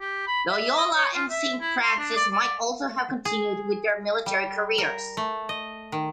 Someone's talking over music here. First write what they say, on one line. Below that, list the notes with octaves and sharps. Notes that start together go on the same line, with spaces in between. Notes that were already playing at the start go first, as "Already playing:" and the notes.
Loyola and Saint Francis might also have continued with their military careers.
G4
B5
E5
D#5
C#5
F4
E5
E4
C6
D4
D5
D5
G#4
G3
A#4
A3
D#5
D#3